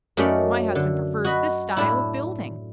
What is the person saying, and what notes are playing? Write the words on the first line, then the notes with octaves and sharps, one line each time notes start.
"But my husband prefers this style of building."
F#2 A3 C#4 D#4 A#4 D5
D3
F#4 D#5 B5
A2 D4 E4